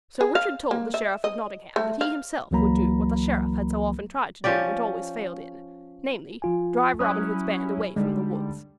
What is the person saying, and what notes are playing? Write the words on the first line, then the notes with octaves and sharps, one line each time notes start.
So Richard told the Sheriff of Nottingham that he himself would do what the Sheriff had so often tried to do and always failed in--namely drive Robin Hood's band away from the woods.
G#4
F5
A#3
E5
D#5
A3
F5
C#2 E3 F#3 A#3 A#5 B5
F3 C#4 G4 D5
F3 F4 G#5
F#3 C#4 E4 D#6 F#6
D3 G3 G#3 D#4